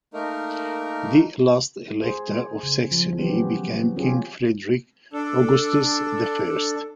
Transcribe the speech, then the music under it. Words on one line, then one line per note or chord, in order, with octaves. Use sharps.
The last elector of Saxony became King Frederick Augustus the First.
A3 A#3 D#4 A#4
G#4 C5
C#3
F3
E3 F#3 G3 B3 C#4 G4
C4 C#4 F4 G4 G#4
D4 A4